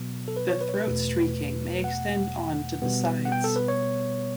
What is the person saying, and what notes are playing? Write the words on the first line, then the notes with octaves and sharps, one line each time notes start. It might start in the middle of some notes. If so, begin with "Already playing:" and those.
The throat streaking may extend on to the sides.
Already playing: B2 F#3 B3
A4
B4
C#5
B4
C#5
B4
E2 B2 A3
F#5
B2 G3 B3
F#5
G5
A4
B4
C#5